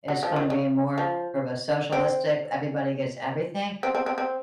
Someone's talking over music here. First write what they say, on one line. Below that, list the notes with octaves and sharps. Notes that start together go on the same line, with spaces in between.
it's gonna be more of a socialistic everybody gets everything?
F#3
F3
D#3
C#3
F3
C4
C4
C4
C4
C4